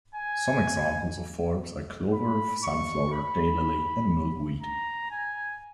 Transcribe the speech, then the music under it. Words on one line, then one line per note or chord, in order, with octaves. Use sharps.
Some examples of forbs are clover, sunflower, daylily, and milkweed.
G#5
B5
C#6
B5
A#5
G#5